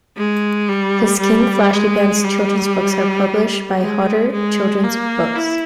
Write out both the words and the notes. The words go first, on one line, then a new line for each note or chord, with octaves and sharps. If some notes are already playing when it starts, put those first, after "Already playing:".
His "King Flashypants" children's books are published by Hodder Children's Books.
G#3
G3
G3
G#3
G3
G#3
G#3
A#3
E4